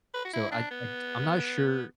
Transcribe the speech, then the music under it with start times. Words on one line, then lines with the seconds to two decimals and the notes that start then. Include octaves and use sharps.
So I I t I'm not sure.
0.14 B4
0.25 F#4
0.33 E4
0.52 D4
0.71 B3